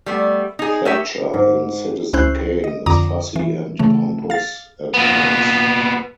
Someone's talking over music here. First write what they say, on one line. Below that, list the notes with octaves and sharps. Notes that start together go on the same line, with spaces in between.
Thatcher in "Citizen Kane" is fussy and pompous at times.
G3 A3 B3
D#4 G#4
A3 D#4 G4 C#5 E5
G#2
C#2 C#4 E4 C5 F#6 G6
D#5
F2 D3 A#5 D6 D#6
E3
C#3 E3 A3
F5 A6
A#2 B3